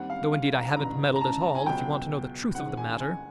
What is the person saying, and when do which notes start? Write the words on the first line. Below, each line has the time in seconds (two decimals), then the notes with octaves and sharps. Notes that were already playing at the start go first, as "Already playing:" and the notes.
Though, indeed, I haven't meddled at all, if you want to know the truth of the matter.
Already playing: D#2 D#3 G3 C4 F#5
0.10 F5
0.32 F5
0.55 A#5
0.76 A1 G2 D3 A#5
1.16 A#5
1.21 A5
1.55 G#5
1.66 C#2 B2 F#3 G5
2.55 A1 G#2 D#3 G#3 C4 F#5
2.77 G#5
3.00 G#5